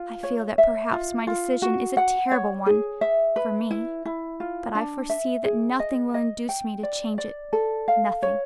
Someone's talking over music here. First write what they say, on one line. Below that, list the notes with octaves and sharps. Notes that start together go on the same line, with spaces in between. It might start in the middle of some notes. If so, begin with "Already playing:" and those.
I feel that perhaps my decision is a terrible one--for me, but I foresee that nothing will induce me to change it--nothing.
Already playing: F4
C#5
E5
F4
F4
F#4
F#5
C#5
G#4
E5
B4
E4
E4
F4
D4
E5
G#4
D#5
D#5
G5
D5
D5
A4
F5
C#5